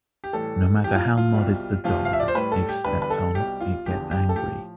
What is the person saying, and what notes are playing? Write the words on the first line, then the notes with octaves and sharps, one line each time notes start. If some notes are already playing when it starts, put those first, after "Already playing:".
No matter how modest the dog, if stepped on, it gets angry.
G4
A2 E3 G3 A4
A2 F3 G4
F4
F4
C2 B2 G3
D2 C3 F3 F4
F5
E5
D5
C5
A2 G3 B4
A4
G4
E2 D3 G3 B4
B4
A4
C2 B2 G3 G4
F4
E2 D3 F3 G4
G4
A4
A2 F3 G4